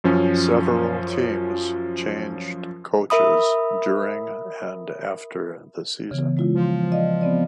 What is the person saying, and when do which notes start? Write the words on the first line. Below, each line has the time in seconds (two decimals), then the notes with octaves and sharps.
Several teams changed coaches during and after the season.
0.04 F#2 F3 C#4
3.10 A#4 E5 B5 D#6
6.11 C#3 E3 B3
6.37 G#3 E4 F4
6.55 F3
6.91 D5 D#5 F5
7.21 B3 C4 D5